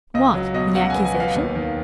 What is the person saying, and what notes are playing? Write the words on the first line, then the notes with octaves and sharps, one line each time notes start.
"What? the accusation?"
C#2 D#5
F#3
B2 D#5
C#2 F#5
G#5
B3
G#5
B3
F5
D#2
D#3